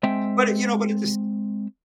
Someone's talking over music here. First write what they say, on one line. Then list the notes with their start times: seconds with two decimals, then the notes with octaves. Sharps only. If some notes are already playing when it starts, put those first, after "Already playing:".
But, eh, you know but, at the s
0.03 G#3 C4 E5 G5